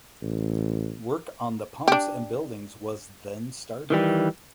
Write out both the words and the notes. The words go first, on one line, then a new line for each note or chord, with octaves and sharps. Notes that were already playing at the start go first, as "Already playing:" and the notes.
Work on the pumps and buildings was then started.
A1
D4 G4
D#3 E3 G3